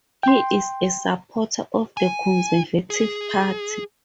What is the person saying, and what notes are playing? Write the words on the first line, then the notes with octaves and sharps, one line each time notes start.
He is a supporter of the Conservative Party.
G5 C6
G#5
G#4